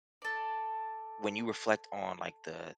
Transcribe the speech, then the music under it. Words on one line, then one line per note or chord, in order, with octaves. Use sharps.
when you reflect on, like, the,
A4 D5